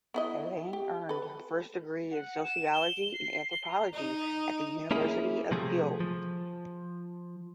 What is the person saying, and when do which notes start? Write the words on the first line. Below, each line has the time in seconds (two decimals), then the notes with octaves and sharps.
Alang earned her first degree in Sociology and Anthropology at the University of Buea.
0.14 B3 E4 D#5
0.73 G4
1.09 A4 B4
2.11 F#5
2.44 E7
2.74 G7
3.14 C7
3.51 G7
3.68 A#5
3.94 D#4
4.91 A#3 C#4 E4 G#4
5.51 C3 F3 A3 G#4
6.00 F3